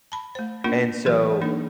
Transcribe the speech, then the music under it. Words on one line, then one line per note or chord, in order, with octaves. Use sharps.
and so
A5 B5
A3 C5
A#3 C#4 D4 F4 A#4
E3 F#3 G4 B4
E3 A#3 D4 D#4